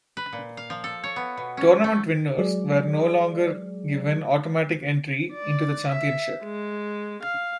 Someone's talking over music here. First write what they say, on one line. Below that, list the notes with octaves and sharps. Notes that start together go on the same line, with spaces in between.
Tournament winners were no longer given automatic entry into the championship.
B4
A#2
F5
F3
A4
C#5
B3
B2
C#4
A3
F#3 G#3 G#4 D5
D5
E5
G#3
F5